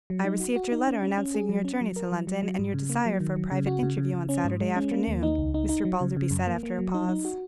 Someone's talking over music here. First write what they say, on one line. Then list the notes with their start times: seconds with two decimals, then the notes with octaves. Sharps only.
"I received your letter announcing your journey to London, and your desire for a private interview, on Saturday afternoon," Mr. Balderby said, after a pause.
0.10 F#3
0.25 D#4
0.40 F#4
0.56 F#4
0.72 D#4
0.88 C#4
1.03 C#4
1.18 C#4
1.34 G#4
1.49 F#3
1.65 C#4
1.81 F#3
1.96 A#4
2.12 F#3
2.27 F#3
2.43 F#3
2.59 G#2
2.74 C#3
2.90 A#3
3.06 F#3
3.20 D#3
3.36 F#3
3.52 C#3
3.67 F#4
3.83 C#3
3.98 C#3
4.14 C#3
4.29 C#4
4.44 G#2
4.61 G#3
4.76 C#4
4.91 A#3
5.07 D#2
5.23 D#4
5.38 C#2
5.54 D#4
5.69 D#4
5.85 F#3
6.01 C#3
6.17 C#3
6.31 F#2
6.47 A#3
6.63 A#3
6.79 F#3
6.94 D#4
7.09 D#4
7.25 F#4